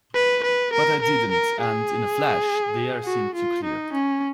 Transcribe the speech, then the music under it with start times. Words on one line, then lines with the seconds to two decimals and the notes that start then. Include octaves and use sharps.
But I didn’t, and, in a flash, the air seemed to clear.
0.15 B4
0.44 B4
0.73 A#4
1.02 A#4
1.31 A#4
1.60 G#4
3.05 F#4
3.35 F4
3.64 D#4
3.93 C#4